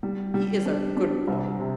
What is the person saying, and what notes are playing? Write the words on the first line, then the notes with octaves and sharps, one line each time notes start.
He is a good boy.
G3
G3
D4
D4
C2
C3